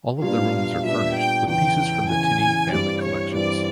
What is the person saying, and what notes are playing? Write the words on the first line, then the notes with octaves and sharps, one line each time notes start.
All of the rooms are furnished with pieces from the Tinney Family collections.
A#2 G3 B3 D4 F5
A#2 G3 B3 D4 E5
G5
E2 C#3 E3 G5
E2 C#3 E3 G#5
G2 E3 G3 C4 D5
C#5
G2 E3 G3 C4 D5